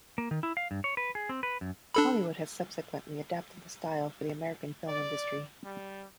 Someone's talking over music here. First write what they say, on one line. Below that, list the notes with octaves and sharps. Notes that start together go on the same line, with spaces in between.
Hollywood has subsequently adapted the style for the American film industry.
A#3
D#3
E4
F5
G2
C#5
B4
G#4
C4
B4
F#2
D4 A4 B5
D5
G3